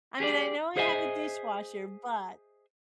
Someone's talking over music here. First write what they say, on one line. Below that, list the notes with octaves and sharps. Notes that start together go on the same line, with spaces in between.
mean, I know I have a dishwasher, but
G4 G#4 C#5 D5
G#4 C5 D#5 E5 F#5 G#5